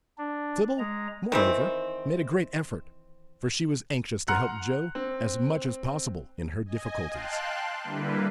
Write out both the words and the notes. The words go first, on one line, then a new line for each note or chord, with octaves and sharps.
Sybil, moreover, made a great effort, for she was anxious to help Joe as much as possible in her difficulties.
D4
G#3 A#5
D#3 E3 C4
F#5 A#5 C6 F6 F#6 C#7
C4
D#5 G#5
F5 G5 A5 C6 F#6
D3 G3 A#3 E4 B4